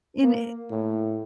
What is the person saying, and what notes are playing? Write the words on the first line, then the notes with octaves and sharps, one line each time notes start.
In, eh
A#3
A2